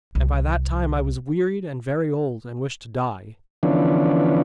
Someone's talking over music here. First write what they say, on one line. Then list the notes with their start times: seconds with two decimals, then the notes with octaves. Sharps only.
And by that time I was wearied and very old, and wished to die.
0.15 C2
3.63 D3 E3 F3 B3 C#4 D4